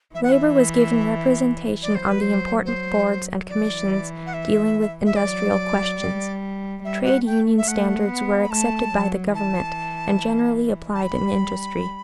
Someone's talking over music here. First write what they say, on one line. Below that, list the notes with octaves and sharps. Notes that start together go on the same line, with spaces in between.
Labor was given representation on the important boards and commissions dealing with industrial questions. Trade union standards were accepted by the government and generally applied in industry.
E3 E5
F#5
E5
F#3 D5
C5
B4
C5
C5
E3 D5
F#5
E5
E5
F#3 D5
G3
G3 E5
F#5
A3 G5
E5
A3 F#5
B3
B5
A3 A5
F#3
E3 A5
A5
G3 B5